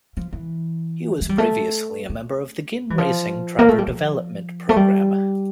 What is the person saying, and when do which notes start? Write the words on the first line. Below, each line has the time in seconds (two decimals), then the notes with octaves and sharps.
He was previously a member of the Ginn Racing driver development program.
0.17 F3
0.33 E3
1.21 A3
1.29 G3
1.38 A3
2.09 A3
2.90 E3
2.98 F3
3.59 A#3
3.69 A3
3.78 G3
3.88 F3
4.69 A3
4.76 G3